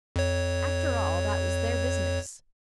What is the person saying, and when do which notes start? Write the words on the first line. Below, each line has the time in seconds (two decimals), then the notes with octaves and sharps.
After all, that was their business.
0.16 F2 C#5